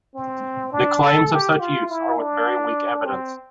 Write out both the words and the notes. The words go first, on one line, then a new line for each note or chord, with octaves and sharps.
The claims of such use are with very weak evidence.
C4
D4
A4
G4
F4
E4
D4
C4